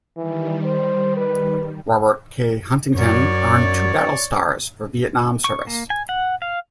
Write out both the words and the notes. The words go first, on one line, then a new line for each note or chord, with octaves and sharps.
"Robert K. Huntington" earned two battle stars for Vietnam service.
D#3 E3 G3
C5
B4
F#2 C#5 D5
C#6
A#3
G#5
F#5
F5